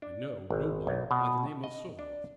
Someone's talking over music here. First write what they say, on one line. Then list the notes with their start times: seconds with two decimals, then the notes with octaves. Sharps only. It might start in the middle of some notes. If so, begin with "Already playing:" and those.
I know no one by the name of Souvaroff.
0.02 D4
0.50 G#1
0.87 B1
1.11 B2
1.64 D#5
1.99 D4